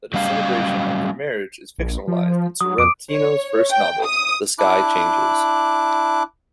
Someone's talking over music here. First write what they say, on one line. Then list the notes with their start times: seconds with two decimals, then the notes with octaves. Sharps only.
The disintegration of their marriage is fictionalized in Sorrentino's first novel, "The Sky Changes".
0.14 F#3 G3 C#4 F5
1.78 A#1
2.07 F3
2.61 F#3 D#6
2.78 F2 D6 D7
3.12 C#5
3.71 G5
4.04 D#6
4.59 D4 E4 D6 F#6